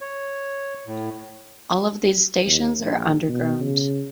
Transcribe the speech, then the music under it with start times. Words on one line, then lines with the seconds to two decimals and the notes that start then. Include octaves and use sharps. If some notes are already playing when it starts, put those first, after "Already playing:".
All of these stations are underground.
0.01 C#5
0.87 A2
2.46 D#2
2.80 A#1
3.29 B2
3.60 C#3